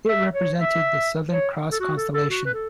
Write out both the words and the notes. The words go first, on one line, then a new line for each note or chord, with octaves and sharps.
It represented the Southern Cross constellation.
E5
C#5
E5
C#5
A4
F#4
A4
A4
F#4
B4
A4